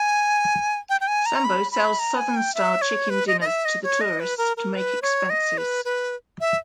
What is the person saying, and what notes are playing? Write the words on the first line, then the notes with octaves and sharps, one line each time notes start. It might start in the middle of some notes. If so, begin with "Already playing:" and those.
Sambo sells Southern style chicken dinners to the tourists to make expenses.
Already playing: G#5
G5
G5
G#5
A#5
B5
B5
A#5
G#5
G5
E5
C#5
B4
D#5
D#5
E5
D#5
C#5
D#5
B4
A#4
A#4
B4
C#5
D#5
B4
B4
E5